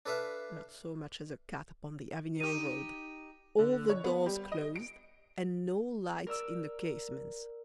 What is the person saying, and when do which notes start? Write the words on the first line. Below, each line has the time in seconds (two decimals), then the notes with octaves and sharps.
Not so much as a cat upon the Avignon road--all the doors closed, and no lights in the casements.
0.06 D4 A4 B4 E5 F5
2.40 D#4 G4 D#7
3.59 D3
3.89 C#5
4.04 B3
4.26 G3
4.52 D#5
4.76 D7
6.27 A#4 D5 E6